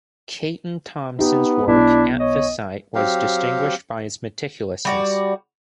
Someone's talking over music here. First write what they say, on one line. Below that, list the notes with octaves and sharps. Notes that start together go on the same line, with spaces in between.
Caton Thompson's work at the site was distinguished by its meticulousness.
B3 D#4 G4
B1 D4 E4
C#5 D#5
F#3 C4 G4 F5
G3 F#4 D5